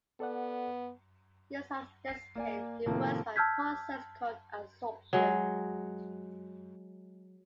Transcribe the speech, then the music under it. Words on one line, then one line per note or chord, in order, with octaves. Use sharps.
Used as a desiccant, it works by a process called "adsorption".
B3 A4 D5 F#5
C7
A#3 D5 G#5
A2 C3 D#3 F3 A3 A#3
A5 E6 F6 G6 G#6 B6
F#3 G#3